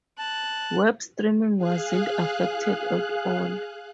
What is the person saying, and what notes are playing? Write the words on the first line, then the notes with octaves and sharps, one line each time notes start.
Web streaming wasn't affected at all.
A5 F#6
G#4 F5 F#6